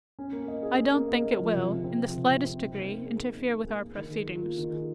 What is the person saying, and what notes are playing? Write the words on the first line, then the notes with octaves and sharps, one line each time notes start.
I don't think it will, in the slightest degree, interfere with our proceedings.
C#4
A#3
D#5
G#4
C#4
A#3
D#5
G#4
F3
C3
C3
C4
F3
C3
C3
C4
D#4
A#3
A#3
G#4
D#4
A#3
A#3
G#4
A#3
D#3
G#4
F4
A#3
D#3
G#4